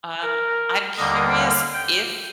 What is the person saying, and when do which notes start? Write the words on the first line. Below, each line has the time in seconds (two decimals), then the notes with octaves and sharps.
Um, I'm curious if
0.22 A#4
0.98 D#2 D3 G3 A#3 D#5
1.36 F5
1.74 G5